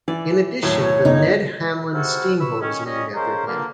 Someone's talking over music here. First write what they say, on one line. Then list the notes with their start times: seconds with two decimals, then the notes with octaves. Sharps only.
In addition, the Ned Hanlan Steamboat is named after him.
0.08 E3 D5
0.63 D#2 A2 F#3 C#5
1.05 G1 D#4
1.93 G#2 C3 E4 F#4 A4 F6
2.40 B4 B5 C#6 E6
2.61 D#3 C#4
2.85 G3 C#4 D#5
3.15 F3 G#3 C#4 A#4 C5
3.46 G2 A#2 D3 A#3